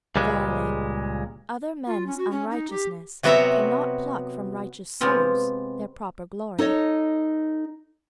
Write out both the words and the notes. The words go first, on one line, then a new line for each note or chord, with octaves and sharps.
Verily, other men's unrighteousness cannot pluck from righteous souls their proper glory.
C#2 A#2 G3 G#3
F4
C#4
F#4
C#4
D#4
G4
C3 F#3 B3 F#4 E5 A#5
C3 G#3 B3 C4 F4
D#4 A4 C#5 D#5